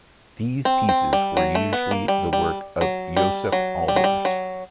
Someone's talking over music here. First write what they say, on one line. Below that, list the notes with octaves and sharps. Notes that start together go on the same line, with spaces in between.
These pieces were usually the work of Josef Albers.
C4
C4
G3
F#3
A3
B3
A#3
G3
G3
F#3
G3
F#3
G3
F#3
G3
F#3